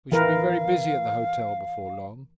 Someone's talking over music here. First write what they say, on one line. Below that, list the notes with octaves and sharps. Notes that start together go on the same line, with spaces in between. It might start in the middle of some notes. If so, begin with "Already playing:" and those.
We shall be very busy at the hotel before long.'
E3 A#4 B4 F5